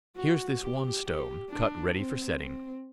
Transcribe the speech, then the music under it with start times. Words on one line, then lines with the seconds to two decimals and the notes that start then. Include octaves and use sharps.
Here's this one stone, cut ready for setting.
0.16 F#4
0.61 G4
1.05 G4
1.50 D4
1.94 C4
2.40 C4